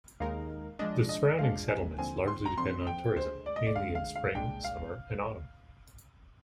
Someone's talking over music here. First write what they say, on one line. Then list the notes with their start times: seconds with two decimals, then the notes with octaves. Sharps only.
The surrounding settlements largely depend on tourism, mainly in spring, summer and autumn.
0.20 D#2 D#3 G#3 D#4 A#4 F5
0.79 F3 G#3 D4 D#5
1.09 D#5
1.39 F3 G#3 D4 F5
1.68 G#5
1.98 D#2 D3 F3 C4 G#5
2.28 C6
2.46 A#5
2.57 D#2 D3 F3 C4 C6
2.87 G5
3.16 D2 D3 G#3 C5
3.46 D5
3.56 D#5
3.66 D5
3.76 D2 D3 G#3 F5
3.95 F5
4.16 F5
4.35 C2 A#2 G#3 D4 G5
4.64 F5